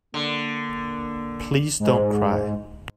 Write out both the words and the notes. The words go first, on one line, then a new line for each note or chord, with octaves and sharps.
Please don't cry.
D3 A#3
G#2